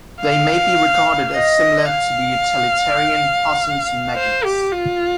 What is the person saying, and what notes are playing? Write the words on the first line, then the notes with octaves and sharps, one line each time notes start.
They may be regarded as similar to the utilitarian posends and negends.
F5
D#5
F5
C5
G4
F4